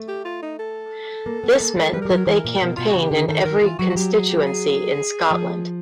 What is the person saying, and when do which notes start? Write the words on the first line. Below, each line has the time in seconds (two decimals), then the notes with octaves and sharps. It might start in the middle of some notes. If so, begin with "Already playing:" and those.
This meant that they campaigned in every constituency in Scotland.
Already playing: A3
0.08 G4
0.25 F4
0.42 D#4
0.59 A4
1.26 A#3
1.44 B3
1.60 A#3
1.76 G#3
1.93 G3 B4
2.02 A#4
2.05 G3
2.10 F#3 A4
2.17 A#4
2.27 E3
2.45 A#2
2.62 B2
2.77 B2 F4
2.89 F#4
2.95 C#3
3.03 G4
3.11 D3 G#4
3.28 D#3 A4
3.45 D#3 A#4
3.62 E3 F4
3.79 F#3 F#4
3.90 F#4
3.96 F#3 G4
4.13 G#4
4.29 G4
4.46 G#4
5.31 F3